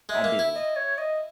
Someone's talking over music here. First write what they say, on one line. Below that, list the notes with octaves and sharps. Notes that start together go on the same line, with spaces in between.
I do.
G#3 E5
A#3
E4
D#5
C#5
D#5